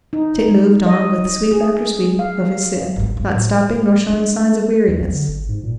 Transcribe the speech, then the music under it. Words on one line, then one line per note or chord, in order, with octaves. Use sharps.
Tit moved on with sweep after sweep of his scythe, not stopping nor showing signs of weariness.
D#4
D#5
G#4
F5
G#1 B3
G2
A2
D4 E4
E2
A#1
D3
G#1
G#2
A#2